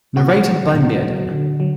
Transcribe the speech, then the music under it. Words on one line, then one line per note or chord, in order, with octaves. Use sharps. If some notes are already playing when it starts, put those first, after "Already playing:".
Narrated by Myrddin.
A#2 F#4
F#3
A#2
F#3
D3
F#3